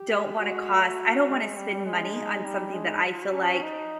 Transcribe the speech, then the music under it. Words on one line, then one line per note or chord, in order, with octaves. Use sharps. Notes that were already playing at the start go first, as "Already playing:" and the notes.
don't want to cost I don't want to spend money on something that I feel like
Already playing: G4
G#3
G#3 F#4
A3
G#3
G3
G#3
D4
D#4
G3
G#3 D4
D#4
F4
F#4
C#4 G4
F#4
D#4